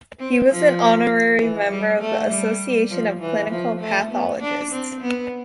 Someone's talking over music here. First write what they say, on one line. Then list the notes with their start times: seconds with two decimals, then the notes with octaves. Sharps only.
He was an honorary member of the Association of Clinical Pathologists.
0.19 C4
0.49 F3
1.40 E3
1.69 G3
2.00 A3
2.30 G3
2.91 F3
3.21 E3
3.51 F3
3.81 A3
4.11 B3
4.41 D4
4.71 C4
5.01 B3